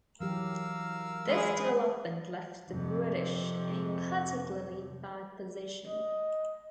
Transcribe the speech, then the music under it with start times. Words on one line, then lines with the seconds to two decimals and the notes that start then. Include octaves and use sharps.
This development left the British in a particularly bad position.
0.20 E3 F#3 G4 A#4 F5 E6
1.26 G#3 G#4 B4
2.70 F2 C3
5.87 D#5